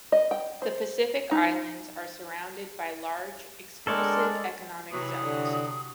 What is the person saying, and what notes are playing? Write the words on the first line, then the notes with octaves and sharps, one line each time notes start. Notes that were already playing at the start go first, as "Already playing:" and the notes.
The Pacific islands are surrounded by large Exclusive Economic Zones.
D#5
G5
C5
D#4
G#3 C4 D4 A4 A#4 C#5 D5
C3 E3 F#3 F#4 D#6
D3